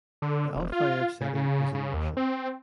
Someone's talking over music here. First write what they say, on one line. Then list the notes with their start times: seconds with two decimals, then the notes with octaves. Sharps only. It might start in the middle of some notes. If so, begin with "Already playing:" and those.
The Alfeyev setting is in Russian.
0.22 D3
0.55 E1
0.72 F4
1.21 C#3
1.35 C#3
1.75 C#3
1.93 D#2
2.17 C4